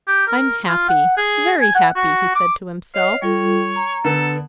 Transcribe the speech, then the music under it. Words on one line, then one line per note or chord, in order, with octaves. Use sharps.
"I'm happy, very happy!" he said to himself.
G4
A#4
F4
F#5
G#4
G#5
F#5
F#4
D6
C#5 D#5 F5
G3 F4 A4 C#5
A#5
D3 B3 A4